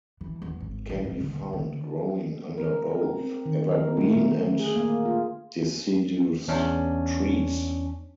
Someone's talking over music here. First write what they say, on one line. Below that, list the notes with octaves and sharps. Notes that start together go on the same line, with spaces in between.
It can be found growing under both evergreen and deciduous trees.
E3
E2
G#1
E4
G#2
D3
B1
D3
A#4
C4
D#3
A#4
A3
D3
G#4
A#3
F4
E2 C#4 D4